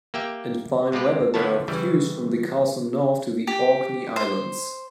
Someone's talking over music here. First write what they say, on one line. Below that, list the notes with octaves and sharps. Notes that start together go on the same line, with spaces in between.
In fine weather there are views from the castle north to the Orkney Islands.
A#3 G4 E5 G5
C3 G#3 C4 F4 G4 B4
D3 F3 B3 E4 C#5 A5
C#3 E3 G3
G4
C5